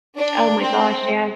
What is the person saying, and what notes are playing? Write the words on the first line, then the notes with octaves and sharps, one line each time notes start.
Oh, my gosh, yeah.
D4
C4